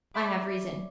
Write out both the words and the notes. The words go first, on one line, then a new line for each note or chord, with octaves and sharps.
I have reason.'
C#5 D5 E5 B5 D6